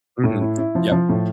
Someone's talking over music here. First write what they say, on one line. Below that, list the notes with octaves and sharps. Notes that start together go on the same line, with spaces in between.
Mhm, yep.
A2
E4
E4
F3
F3
A2